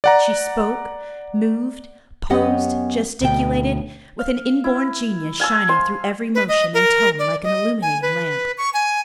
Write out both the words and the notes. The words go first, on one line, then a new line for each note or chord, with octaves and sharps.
She spoke, moved, posed, gesticulated, with an inborn genius shining through every motion and tone like an illuminating lamp.
D5 F#5 A#5
F#2 B3 C#4 G4 D#5 F#5
D2 B2 G5
F5
E4
F5 G#5 A5 E6
C5 G#5 C6
B4
D#5
A#4
D5
D#5
G#5
B4
C#6
G#5